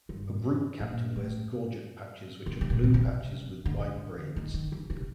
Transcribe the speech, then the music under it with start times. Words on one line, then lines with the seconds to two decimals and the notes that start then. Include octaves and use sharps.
A group captain wears gorget patches which are blue patches with white braids.
0.09 G2
0.80 A#2
1.16 A2
2.46 D3
2.61 C3
2.70 A#2
2.84 D3
2.94 C3
3.66 D3
4.36 D#3
4.54 D#3
4.72 D3
4.90 C3